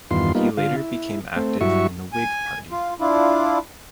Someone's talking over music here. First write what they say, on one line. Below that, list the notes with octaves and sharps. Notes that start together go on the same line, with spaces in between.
He later became active in the Whig Party.
E2 G2 D#3 B3 F4 C6
G3 A#3 B3 D#4 F4
D3 F4 F5
E4
A3 C4
G2 F#3 E4 F#4 E5 C#6
G#5
F4
D4 E4 F4